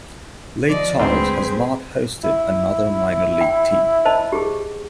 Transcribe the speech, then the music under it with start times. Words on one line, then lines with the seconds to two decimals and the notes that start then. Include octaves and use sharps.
Lake Charles has not hosted another minor league team.
0.69 F3 D5 D#5
0.99 D2 G#2 C4 G#4 B4 C5
2.24 E4
3.41 G5
4.05 C5 D#5 A5
4.33 G4 G#4